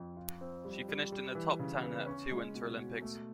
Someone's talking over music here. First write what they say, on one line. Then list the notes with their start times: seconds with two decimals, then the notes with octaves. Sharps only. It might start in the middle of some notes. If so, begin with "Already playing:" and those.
She finished in the top ten at two Winter Olympics.
Already playing: F2
0.17 F4
0.41 C4
0.65 G3
0.89 G3
1.12 G3
1.35 E3
1.59 C#3
1.83 B3
2.06 C#4
2.31 G#3
2.55 B2
2.78 F#4
3.02 A3